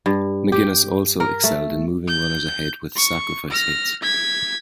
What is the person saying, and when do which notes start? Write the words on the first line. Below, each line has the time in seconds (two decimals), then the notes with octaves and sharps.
McInnis also excelled in moving runners ahead with sacrifice hits.
0.06 G2
0.52 G4
1.20 A#4
1.44 A3
2.08 G6
2.96 C#6
3.50 F6 A#6
4.02 G#6 B6